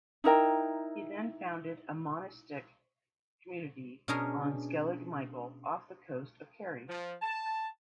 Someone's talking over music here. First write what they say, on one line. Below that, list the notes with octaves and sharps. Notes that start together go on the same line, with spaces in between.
He then founded a monastic community on Skellig Michael, off the coast of Kerry.
D#4 E4 A#4 G5
B2 C#4 D4 G#4 A#4 A#5
F3
A5